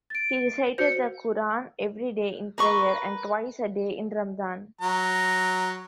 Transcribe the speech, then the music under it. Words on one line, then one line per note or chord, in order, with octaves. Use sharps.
He recited the Qur'an every day in prayer, and twice a day in Ramadan.
A6 D7
F#4 C5 G6 C#7
A#4 B4 C#6
F#3 A#5